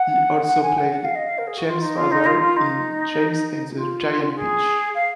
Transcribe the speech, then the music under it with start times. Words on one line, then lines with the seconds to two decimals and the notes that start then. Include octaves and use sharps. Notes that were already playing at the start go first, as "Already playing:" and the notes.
He also played James' father in "James and the Giant Peach".
Already playing: F#5
0.48 F#5
0.63 G#5
0.78 F#5
0.93 F#5
1.04 F5
1.15 D#5
1.25 F5
1.38 A#4
1.47 G#4
1.57 F#4
1.67 F4
1.81 D#4
1.97 F4
2.11 D#4
2.26 F4
2.41 F4
2.56 D#4
3.76 F4
4.35 G#4
4.94 F5